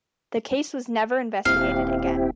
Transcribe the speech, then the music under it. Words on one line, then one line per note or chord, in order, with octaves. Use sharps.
The case was never investigated again.
D#1 C4 E4 G4 F5